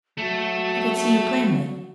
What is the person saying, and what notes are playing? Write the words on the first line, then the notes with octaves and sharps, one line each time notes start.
I could see you plainly.
F#3 A3